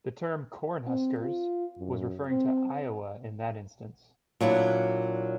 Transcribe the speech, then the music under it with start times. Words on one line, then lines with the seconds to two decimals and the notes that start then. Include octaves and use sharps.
The term "Cornhuskers" was referring to Iowa in that instance.
0.87 C4
1.18 F4
1.78 F#2
2.28 C4
4.41 A#2 F#3 D4 E4